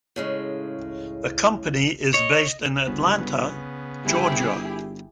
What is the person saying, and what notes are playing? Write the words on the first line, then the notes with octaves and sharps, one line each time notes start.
The company is based in Atlanta, Georgia.
A2 C#3 G#3
C#5 D#5
G1 C#3 B3
G1 E4 G4 G#4